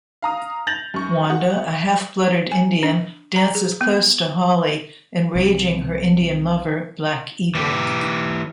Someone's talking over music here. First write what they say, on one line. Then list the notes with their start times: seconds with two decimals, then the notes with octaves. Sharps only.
Wanda, a half-blooded Indian, dances close to Hawley, enraging her Indian lover, Black Eagle.
0.22 F5 A#5 D#6
0.67 G6 A6 A#6 F7 F#7
0.94 F#2 C#6
1.30 F#4
2.52 G#5
2.83 D4
3.36 A#5
3.55 G#4
3.81 B3
5.36 C2
7.55 E3 G4